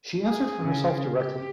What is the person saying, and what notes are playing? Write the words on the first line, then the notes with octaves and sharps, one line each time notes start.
She answered for herself directly.
G#4
C#3
G4